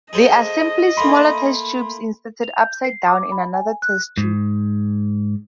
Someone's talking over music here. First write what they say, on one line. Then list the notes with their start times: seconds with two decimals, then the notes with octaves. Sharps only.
They are simply smaller test tubes inserted upside down in another test tube.
0.13 G#4 A4 C5 D#5
0.97 A3 A#3 B5 C6
2.43 F7
2.58 G6
2.84 C7
3.08 D6
3.32 B5
3.54 G#5
3.82 F#6
4.17 G#2